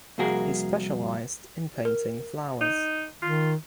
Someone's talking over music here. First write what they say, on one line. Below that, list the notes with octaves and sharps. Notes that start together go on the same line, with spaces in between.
He specialized in painting flowers.
C2 F2 A#3 F#4 G#4 A#4
A#4
D#4
D#3 F4